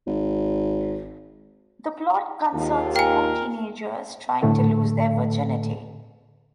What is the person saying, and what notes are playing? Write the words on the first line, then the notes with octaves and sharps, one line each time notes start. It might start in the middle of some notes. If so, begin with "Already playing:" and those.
The plot concerns four teenagers trying to lose their virginity.
G#1
D#2 G#2 F4
A#4 G5 G#5
A2 D3 A3 A4